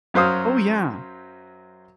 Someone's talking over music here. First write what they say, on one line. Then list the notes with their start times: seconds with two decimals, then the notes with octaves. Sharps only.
Oh, yeah,
0.14 F#2 F#3 C5 F5 D#6